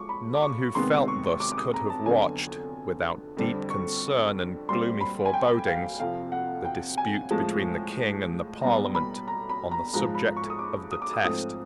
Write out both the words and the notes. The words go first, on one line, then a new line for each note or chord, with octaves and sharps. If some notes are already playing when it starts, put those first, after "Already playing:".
None who felt thus could have watched, without deep concern and gloomy forebodings, the dispute between the King and the Parliament on the subject of the test.
Already playing: F3 G#3 C#6 D6
B5
D6
C#6
C3 D#3 G#3 B3 C6
C#6
D6
D6
D#6
A#5
A5
F2 D3 F#3 B3 G#5
F2 D3 G3 C4
C#6
A#2 G3 C4 C6
B5
G#5
G5
F5
F2 C3 F3 F5
F#5
G5
G#5
A2 F3 G#3 C4 A5
B2 G3 B3 A#5
B5
A#5
B5
A#5
G#2 F3 G#3 A#5
B5
C#6
D#6
D6
D#6
D6
D#6
G#2 F3 A3 C4 D#6